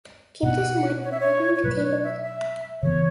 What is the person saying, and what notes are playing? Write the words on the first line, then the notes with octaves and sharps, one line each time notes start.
Keep this in mind when reading the table below.
B2 B3 F#5
C#5
E5
C#5
C#5
B2 F#3 A3 B4
B4
C#5
E5
E5
C#3 E3 B3 C#5